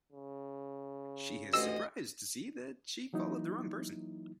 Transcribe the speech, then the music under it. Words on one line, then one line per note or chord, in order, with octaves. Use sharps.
She is surprised to see that she followed the wrong person.
C#3
A1 D2 F4 D#5 E6
E3 F#3 A#3 D#4 E4